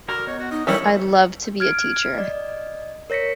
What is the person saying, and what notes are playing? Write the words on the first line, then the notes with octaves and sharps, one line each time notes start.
I’d love to be a teacher.
D3 F#4 A#4 A#5
B3 C#5 D#5
F#4
D#4 D#5
D#3 E3 G3 A4 C#5 C#6
F6 G#6 D7
D5 D#5
A#4 C#5 A#6 B6 C#7